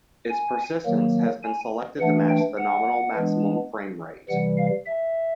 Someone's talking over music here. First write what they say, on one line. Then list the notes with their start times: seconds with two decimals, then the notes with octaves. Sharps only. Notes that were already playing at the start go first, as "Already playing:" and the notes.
Its persistence had been selected to match the nominal maximum frame rate.
0.29 G#5
0.86 D#3 F#3 A#3
1.43 G#5
2.00 E3 A3 D4 F#5
2.29 G5
2.57 F#5
3.15 E3 G#3 B3 D4
4.29 C3 E3 G3 F#5
4.57 F5
4.87 E5